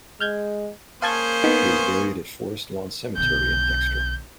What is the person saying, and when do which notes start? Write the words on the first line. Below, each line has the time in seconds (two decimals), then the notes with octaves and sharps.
He is buried at Forest Lawn Cemetery in Dexter.
0.20 G#3 F6 G6 G#6
1.02 A#3 C#4 G#4 C5 F5 A5 G#6
1.44 B3 D#4
3.17 B1 D3 G6